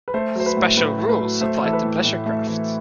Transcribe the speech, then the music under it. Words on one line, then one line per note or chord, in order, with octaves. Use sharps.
Special rules apply to pleasure craft.
B4
A3 C5
F#3 C5
B4
A2
A2 B4
A3
B4
F#3
A3 C5
E3 A4
B4
A2
A2
A3
E3